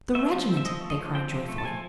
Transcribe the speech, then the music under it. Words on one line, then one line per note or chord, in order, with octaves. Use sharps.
"The regiment!" they cried joyfully.
A3 E5
F3
C4
E5
F3 D#5
A3
D#5
F3
C4 G5
F3
A3
A5
F3 G#5